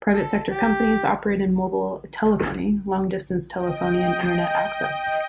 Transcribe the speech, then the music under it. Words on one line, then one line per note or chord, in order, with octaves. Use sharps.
Private sector companies operate in mobile telephony, long distance telephony and Internet access.
A4
G4
D#5 G5